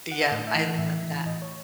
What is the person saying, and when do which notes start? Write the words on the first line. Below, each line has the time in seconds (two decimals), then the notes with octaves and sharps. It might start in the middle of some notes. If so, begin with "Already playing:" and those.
Yeah, I love that.
0.11 F#5
0.21 E5
0.31 A2 D#5
0.47 E5
0.55 E3
0.63 F#5
0.78 A2 E5
1.03 E3
1.26 A2 D#5
1.42 C#5